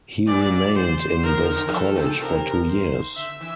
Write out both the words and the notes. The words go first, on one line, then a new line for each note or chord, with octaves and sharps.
He remained in this college for two years.
A#2 D5
C5
D3 A#4
D3
G2
E2
F2 A4
G2
A#2
C3 A#4
C5
D3 E5
E3